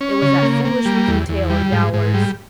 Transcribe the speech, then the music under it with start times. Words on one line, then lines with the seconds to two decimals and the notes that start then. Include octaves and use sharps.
It was that foolish looking tail of Yowler's.
0.01 C#4
0.22 C#3
0.42 A#3
0.65 A#3
0.86 G3
1.08 E2
1.29 E2
1.50 G3
1.72 G#2
1.93 G#2
2.14 G3